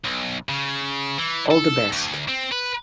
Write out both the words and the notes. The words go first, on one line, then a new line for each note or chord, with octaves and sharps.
All the best.
B1
C#3
E3
A4
D2
C4
B4